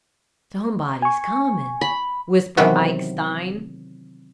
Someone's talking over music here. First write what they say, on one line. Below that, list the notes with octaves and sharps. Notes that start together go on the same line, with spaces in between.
"Somebody's comin'!" whispered Ike Stein.
G#5 C#6
B5
C3 D#3 E3 F#3 B3